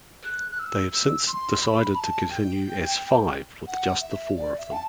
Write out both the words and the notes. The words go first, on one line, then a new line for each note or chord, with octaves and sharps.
They have since decided to continue as Five with just the four of them.
F#6
F#6
E6
E6
C6
B5
B5
A5
G5
F#5
E5
D5
E5
A5